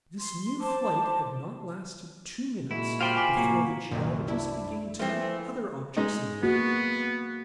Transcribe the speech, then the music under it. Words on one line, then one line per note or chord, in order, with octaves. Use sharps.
This new flight had not lasted two minutes before the geologist began to note other objects in the air.
C6
C5 A5 C6 D6
A#2 G#3 E4 F#4
F4 G4 C5 F5 G5 B5
G#5 D6 B6
A2 C3 F#3 A#3 F#4
C2 F#2 A#2 D#3
D4 E4
E3 F3 A3 C4
G#3 D#4
A#3 B3 F#4